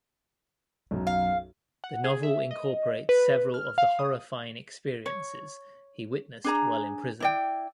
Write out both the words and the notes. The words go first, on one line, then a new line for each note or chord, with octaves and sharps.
The novel incorporates several of the horrifying experiences he witnessed while in prison.
B1 F#2
F5
F#5
G#4
E5
D#5
B4
F6
F5
D#6
C#5
D4 G#4 A#5
E4 D5 G5